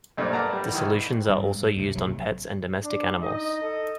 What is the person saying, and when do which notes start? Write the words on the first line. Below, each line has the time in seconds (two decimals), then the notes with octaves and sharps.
The solutions are also used on pets and domestic animals.
0.17 B1 G2 A3 A#3 C5 D5
0.33 A#4 B4 D5 F#5 A5 A#5
0.53 G3
0.72 C2 D#3 E3
1.29 G2 G3
1.54 G#2
1.77 D2 C3
1.95 A#1 C3 F#3
2.83 D4
3.22 D#4 D#5
3.62 A4